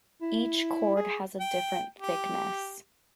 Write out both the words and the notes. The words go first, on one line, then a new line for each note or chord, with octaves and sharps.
Each chord has a different thickness.
E4
G#4
G5
G4